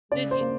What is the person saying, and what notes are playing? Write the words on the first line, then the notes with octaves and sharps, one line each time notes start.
Did you
C#3 D5
C5
A#3